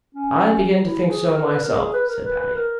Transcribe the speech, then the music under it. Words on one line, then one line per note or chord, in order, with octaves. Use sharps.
"I begin to think so myself," said Patty.
C#4
E4
G#4
A#4
B4
A#4
G#4
B4
A#4
B4
B4
A#4